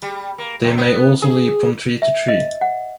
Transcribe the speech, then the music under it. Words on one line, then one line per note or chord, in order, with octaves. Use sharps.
They may also leap from tree to tree.
G3
A#3
E2
B3
G#4
E5
D#5
F#5